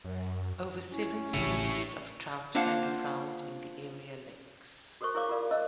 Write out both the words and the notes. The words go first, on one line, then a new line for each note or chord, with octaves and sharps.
Over seven species of trout can be found in the area lakes.
F#2
C#4 E4
A1 A2 C#3 D4 E4 G4 C#5
A#3 D4 F4 C5 F5 F#5
F#4 A4 A#4 C5 C#6
E4 G#4 A#4 C#5 F5 D6
F4 F#4 A4 A#4 D5 F5
A#4 C5 D#5 A5 E6